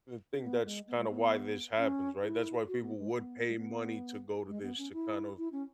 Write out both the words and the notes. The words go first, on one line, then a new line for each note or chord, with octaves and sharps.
I think that's kinda why this happens, right? That's why people would pay money to go to this, to kind of
C#4
B3
G#3
B3
G#3
B3
C#4
E4
F#4
B3
G#3
B3
G#3
B3
G#3
B3
C#4
E4
E4
C#4